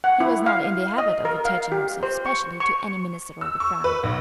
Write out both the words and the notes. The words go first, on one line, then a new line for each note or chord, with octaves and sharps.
He was not in the habit of attaching himself specially to any Minister of the Crown.
F#5
E4
F5
D#5
A#4
F5
G4
C5
C#6
C#6
E6
C#6
B4
B1